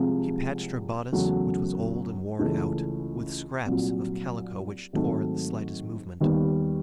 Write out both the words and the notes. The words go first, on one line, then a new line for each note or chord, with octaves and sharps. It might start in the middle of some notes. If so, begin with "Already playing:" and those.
She patched her bodice, which was old and worn out, with scraps of calico which tore at the slightest movement.
Already playing: C2 C3 F3 G#3
E2 C#3 F#3 A3
C#2 C#3 E3 A3 C#4
C2 A#2 F#3
G#2 D#3 F#3 A3 C4
D#2 D#3 G3 B3